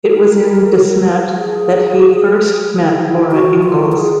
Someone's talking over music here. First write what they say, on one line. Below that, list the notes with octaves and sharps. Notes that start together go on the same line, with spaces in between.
It was in De Smet that he first met Laura Ingalls.
A#4
G#4
F#4
F4
A#4
G#4